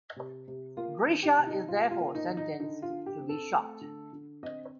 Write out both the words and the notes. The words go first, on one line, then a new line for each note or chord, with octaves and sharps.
Grischa is therefore sentenced to be shot.
C3
C3
A#3 F4
D#3
G4
C3
D#4
C3 F4
F4
A#3
D#4
D#3
D#4
D3 D#4
F4
D3
G4
C4
A4
A3
D3
D3
C4 D#5